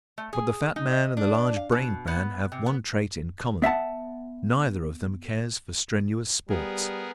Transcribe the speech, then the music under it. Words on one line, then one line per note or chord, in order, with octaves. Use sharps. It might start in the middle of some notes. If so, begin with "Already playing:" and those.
But the fat man and the large-brained man have one trait in common. Neither of them cares for strenuous sports.
A3
G#4
D#4
D#5
D4
F5
B2
B3
C3
B3
B3 E5 F#5 A5
G3 B3 G#4 A#4